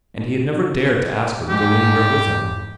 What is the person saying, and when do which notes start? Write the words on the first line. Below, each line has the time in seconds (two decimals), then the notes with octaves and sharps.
And he had never dared to ask her to go anywhere with him.
1.48 G#2 G4